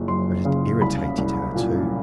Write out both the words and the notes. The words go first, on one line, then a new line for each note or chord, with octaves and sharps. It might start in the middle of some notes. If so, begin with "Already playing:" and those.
But it irritated her too.
Already playing: F#1 F3
F#2 C6
C#3
C2 B5
C2
A#2